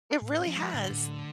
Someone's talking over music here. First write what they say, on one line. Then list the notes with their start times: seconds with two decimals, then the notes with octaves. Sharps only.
It really has,
0.22 A2
0.39 C#4
0.47 F3
0.56 G#3
0.63 F3
0.73 A2 D3
0.91 A2
1.08 A3